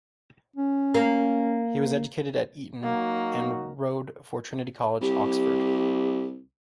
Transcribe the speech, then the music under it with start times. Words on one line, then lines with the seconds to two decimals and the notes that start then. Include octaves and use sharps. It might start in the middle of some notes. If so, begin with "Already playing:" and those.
He was educated at Eton and rowed for Trinity College, Oxford.
0.56 C#4
0.94 A#3
2.84 F#3 A#3 D#4 F#4
5.01 C2 G4